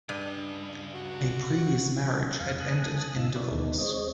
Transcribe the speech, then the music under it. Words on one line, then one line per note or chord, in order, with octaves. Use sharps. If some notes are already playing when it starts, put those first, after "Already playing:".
A previous marriage had ended in divorce.
G2 C#3 D#5
F#4
F2 F5
G#5 A5 D#6 F#6
G#2 C#3 D#4 F4 E6 A6
E4 F#4 A#4 B4 C#5 D5
D#2 D#3 B3 D#4
G#3 C4 C#5 D#5